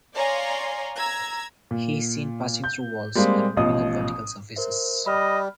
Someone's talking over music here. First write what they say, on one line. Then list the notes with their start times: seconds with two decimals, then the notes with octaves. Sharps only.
He is seen passing through walls and moving up vertical surfaces.
0.16 C#5 D5 F5 G#5 A#5 C6
0.97 A#5 E6 G#6
1.71 A#2
2.64 G6
3.15 G3 G#3 A#3 C4
3.57 A1 B2 F3 D#5 D#6
4.56 A#4 C5 E5
5.06 G3 D#5 B5 F6